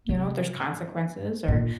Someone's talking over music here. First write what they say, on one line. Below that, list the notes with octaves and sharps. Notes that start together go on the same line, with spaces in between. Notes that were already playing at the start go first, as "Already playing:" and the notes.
you know, if there's consequences or
C3
A#2